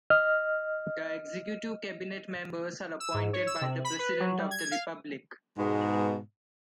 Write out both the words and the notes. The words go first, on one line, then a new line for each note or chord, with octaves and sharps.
The Executive Cabinet members are appointed by the President of the Republic.
D#5 F6
E6
G#2
C#5
E6
C3
B5
B4
F#3
G3
G#6
F5
G#2 B2 G#3 B3